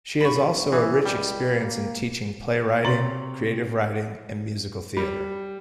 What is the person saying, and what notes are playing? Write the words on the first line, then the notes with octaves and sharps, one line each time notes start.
She has also a rich experience in teaching playwriting, creative writing, and musical theatre.
G1 B5 C#6
E3 G#4
C#2 G3 G5
A#3
C3 C#5 A#5 C6 A6 F#7
G3